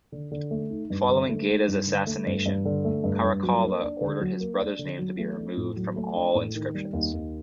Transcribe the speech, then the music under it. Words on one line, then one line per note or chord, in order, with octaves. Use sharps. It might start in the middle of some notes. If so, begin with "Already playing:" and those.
Following Geta's assassination, Caracalla ordered his brother's name to be removed from all inscriptions.
D3
D3
A3
D#4
G2
D3
A3
D#4
G2
D3
A3
G2
G2
D3
A3
G2
G2
F#3
A#3
D4
D3
F#3
A#3
D4
D3
F#3
A3
D4
A2
F#3
A3
D4
A2
D#3
G3
D#2
D#2